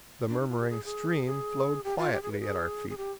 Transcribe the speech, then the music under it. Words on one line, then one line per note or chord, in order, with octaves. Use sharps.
The murmuring stream flowed quietly at our feet.
D4
D#4
F4
G4
G#4
G#4
G#4
G4
F4
G4
G#4
B4
G#4
G#4
G4